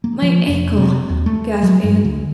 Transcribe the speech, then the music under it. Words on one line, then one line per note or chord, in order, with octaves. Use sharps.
"My ankle," gasped Anne.
A#3
F3
F1
C3
D#2
A3
F#3
G2
D2